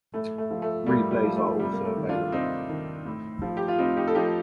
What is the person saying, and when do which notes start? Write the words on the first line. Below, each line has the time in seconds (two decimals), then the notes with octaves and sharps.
Replays are also available.
0.14 A2 A3
0.38 A3
0.51 F3
0.62 A3
0.86 A2 G3 A#3
1.11 G3
1.24 F3
1.36 A3
1.59 C3 G3
1.73 A#3
1.85 A3
1.96 D#3
2.09 D4 F4
2.32 C3 C4 D#4
2.69 D#3
3.06 A2
3.42 F3
3.57 G4
3.68 F4
3.78 A2 C4 D#4
3.97 D#4 G4
4.07 A4
4.15 F3 D#4 G4